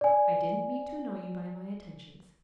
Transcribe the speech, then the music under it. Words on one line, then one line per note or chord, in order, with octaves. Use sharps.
I didn't mean to annoy you by my attentions.
D5 G#5